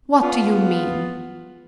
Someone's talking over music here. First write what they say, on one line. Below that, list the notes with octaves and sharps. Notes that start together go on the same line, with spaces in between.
"What do you mean?"
B3 F4